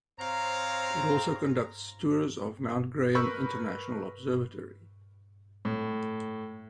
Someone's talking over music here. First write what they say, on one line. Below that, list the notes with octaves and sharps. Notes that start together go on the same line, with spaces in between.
It also conducts tours of Mount Graham International Observatory.
C4 C5 C#5 F5 A#5
A#4 B4 B5 C#6 E6 G6
A2